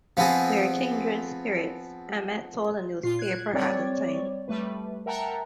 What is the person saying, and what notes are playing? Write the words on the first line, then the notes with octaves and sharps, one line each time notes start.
"We're kindred spirits", Emmett told a newspaper at the time.
F3 B3 C4 G#4
A#2 F4 C7
F#6 G#6
G3 C4 C#5 D5
G3 A3 B4
A#4 E5 F#5 G5 A5 A#5